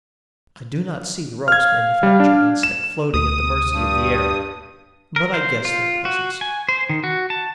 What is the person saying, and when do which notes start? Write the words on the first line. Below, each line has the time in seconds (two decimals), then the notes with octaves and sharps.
I do not see the ropes manufactured and sent floating at the mercy of the air; but I guess their presence.
1.48 F5 F6 G#6
2.03 G3
2.20 D4
2.63 E7
3.14 D2 D#6
3.71 G2
5.16 A#4
5.34 C5
5.65 F4
6.05 F#4
6.41 G#5
6.69 C5
6.89 D#3
7.04 F#4
7.30 A5